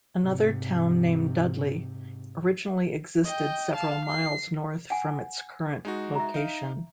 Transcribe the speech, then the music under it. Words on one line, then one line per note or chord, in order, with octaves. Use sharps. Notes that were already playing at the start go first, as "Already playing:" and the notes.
Another town named Dudley originally existed several miles north from its current location.
G#2 C3
D#5 G5
F5 A5
C7
F#5 G#5
G#3 D#4 F#4
E5 A#5
D#4 F5